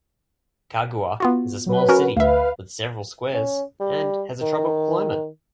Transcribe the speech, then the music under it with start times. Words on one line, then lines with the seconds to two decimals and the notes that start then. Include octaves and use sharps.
Cagua is a small city with several squares and has a tropical climate.
1.20 B3 F4 F#4
1.66 F#3 B4
1.89 C#4 F#4 A#4
2.17 D2 B4 E5 F5
3.34 C#4
3.80 G3
4.42 D#3